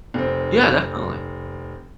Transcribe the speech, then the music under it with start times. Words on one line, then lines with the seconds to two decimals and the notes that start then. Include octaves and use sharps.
Yeah, definitely.
0.14 F1 C4